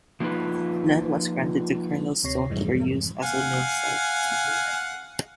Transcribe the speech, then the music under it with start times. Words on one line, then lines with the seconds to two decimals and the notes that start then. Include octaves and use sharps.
Land was granted to Colonel Stone for use as a mill site.
0.20 F3 A#3 D#4 F4 B4
2.24 D2 C3 C#5 A#6 C7
2.50 F2 G#2 C3 E3 G3 G#3
3.23 F5 F#5 G#5